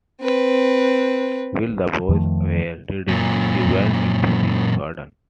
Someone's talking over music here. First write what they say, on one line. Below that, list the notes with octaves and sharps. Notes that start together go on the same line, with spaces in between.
While the boys were reading, she went into the garden.
C4 B4
F2 D#3 F3 A3
F#2 A#2